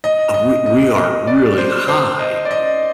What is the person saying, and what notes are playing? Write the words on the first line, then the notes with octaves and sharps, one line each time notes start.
we we are really high,"
D#5
D#5
D#5
D#5
D5
C5
C5
D#5
D5
D#5